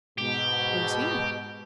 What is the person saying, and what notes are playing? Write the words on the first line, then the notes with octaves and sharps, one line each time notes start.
"Who is he?"
G#2 B2 G4